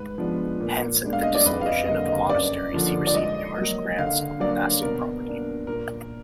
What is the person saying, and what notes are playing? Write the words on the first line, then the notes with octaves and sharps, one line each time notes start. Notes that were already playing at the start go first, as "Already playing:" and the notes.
Hence at the Dissolution of the Monasteries he received numerous grants of monastic property.
Already playing: G#2 B4
F3 G#3 B3 D4
A#2
G#3 B3 D4
F5
D#5
D5
F2 B4
F5
D#5
D3 F#3 A#3 D#5
D#5
F#2 D5
D3 F3 A#3
D5
G#2 D#5
F#3 A#3
D3 F5
F#3 A#3 D4 D5
B2 A#4
A#3 D4
A#2 A#4